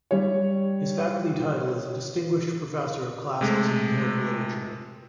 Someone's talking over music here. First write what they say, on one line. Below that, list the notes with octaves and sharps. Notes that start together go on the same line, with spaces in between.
His faculty title is "Distinguished Professor of Classics and Comparative Literature".
G3 C#5
C3 G#3 A3